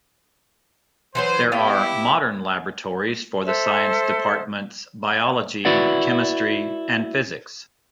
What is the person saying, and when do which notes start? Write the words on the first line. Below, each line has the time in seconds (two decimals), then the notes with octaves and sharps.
There are modern laboratories for the science departments: Biology, Chemistry and Physics.
1.15 E3 F#3 B4 C5
1.52 B3 E4 G4 F5 G5
3.45 A4 C5 E5
5.65 E4 F#4 B4 D5 F#5